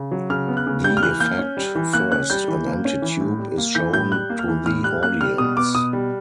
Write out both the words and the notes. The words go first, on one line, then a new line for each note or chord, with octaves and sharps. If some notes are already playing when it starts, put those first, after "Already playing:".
The Effect: First, an empty tube is shown to the audience.
Already playing: C#3
F#3
C#3 F6
B3
F#6
C#3
G3 G6
F6
E3 F#6
A#3 G6
C#4
G3
E3
A#3 F#6
C#4 F#6
G3 G6
E3
A#3
C#4
E3
A2
G3
A#3
E3 G6
A2 G6
G3 F#6
A#3
F6
E3
A2 F6
G3 F#6
A#3 F#6
G3 F6
B2 D#6
B3 D6
B2 D#6
G3